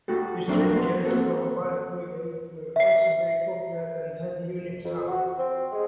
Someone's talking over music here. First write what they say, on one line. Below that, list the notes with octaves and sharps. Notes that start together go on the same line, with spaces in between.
The Strangers from Balbriggan were also very popular and had a unique sound.
A3 F#4 G4 A4
F3 F#3 A#3 C4 D4 E5
B3 C6
A#3 C4 F#4 A4
E5 C7
F2
F#4
C4
G#3